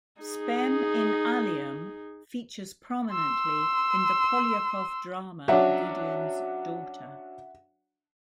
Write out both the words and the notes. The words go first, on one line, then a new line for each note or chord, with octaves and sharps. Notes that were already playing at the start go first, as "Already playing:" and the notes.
"Spem in alium" features prominently in the Poliakoff drama "Gideon's Daughter".
D#4 G#4
C6 E6
F#3 C#4 D4 E5 F#5